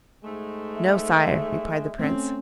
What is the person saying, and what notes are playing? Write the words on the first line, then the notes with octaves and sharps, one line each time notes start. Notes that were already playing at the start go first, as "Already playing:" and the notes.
'No, sire,' replied the Prince.
G#2 G#3 A3
E5
A3 C4 C#4